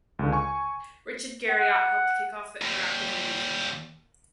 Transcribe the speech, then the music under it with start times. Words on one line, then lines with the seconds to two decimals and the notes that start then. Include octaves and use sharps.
Richard Garriott helped kick off the Interactive Movie theme.
0.19 C#2 D3
0.32 G#5 C#6
1.50 F#5
2.62 D#2 G3